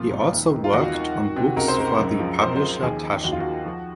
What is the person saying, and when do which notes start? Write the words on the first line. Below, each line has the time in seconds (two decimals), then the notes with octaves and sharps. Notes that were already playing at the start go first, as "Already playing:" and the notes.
He also worked on books for the publisher Taschen.
Already playing: C2 A#2 F3 F4
0.11 C2
0.32 D#2
0.53 D#3
0.64 F4
0.73 D#2 F#4
0.95 D#3
1.15 D#3
1.36 C3
1.57 C#2 A#4
1.68 C5
1.78 C#2 A#4
1.99 F#2
2.19 F3
2.40 F#2 C5
2.48 A#4
2.56 C5
2.61 F3
2.82 D#2 G#4
3.03 D#3
3.24 D#2 F#4
3.32 F4
3.40 D#3 F#4
3.65 F3